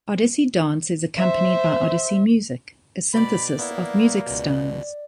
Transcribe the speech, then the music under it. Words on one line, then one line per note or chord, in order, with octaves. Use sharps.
Odissi dance is accompanied by Odissi music, a synthesis of music styles.
C5 E5
B2 D5 B5
A#3 B3 E4 D5
C#2 B2